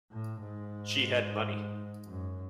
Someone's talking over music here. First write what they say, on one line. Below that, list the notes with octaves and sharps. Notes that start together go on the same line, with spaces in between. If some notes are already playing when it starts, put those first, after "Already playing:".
She had money.
A2
G#2
F#2